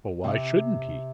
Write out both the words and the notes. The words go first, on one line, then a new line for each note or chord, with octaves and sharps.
"Why shouldn't he?"
C3